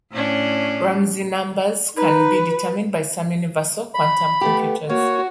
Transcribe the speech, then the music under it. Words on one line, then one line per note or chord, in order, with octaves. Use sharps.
Ramsey numbers can be determined by some universal quantum computers.
A2 C#4 D4
D#4 B4
B5
A3 B3 G4
A#3 F#4 C#5